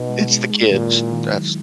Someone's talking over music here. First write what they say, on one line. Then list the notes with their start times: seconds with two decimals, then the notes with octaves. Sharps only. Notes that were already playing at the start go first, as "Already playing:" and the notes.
It's the kids. That's
Already playing: B2 D#4
0.09 G#3
0.30 G#3
0.50 G#3
0.71 A#2 D#3
0.93 E4
1.13 D#3
1.33 F#3